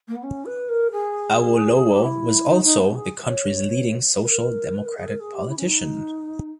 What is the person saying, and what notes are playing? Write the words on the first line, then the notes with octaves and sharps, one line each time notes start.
Awolowo was also the country's leading social democratic politician.
A#3
B3
C#4
B4
A#4
G#4
G4
E4
D#4
D#4
B3
G#4
C#5
B4
A#4
B4
A#4
G#4
A#4
G#4
G4
E4
C#4
D#4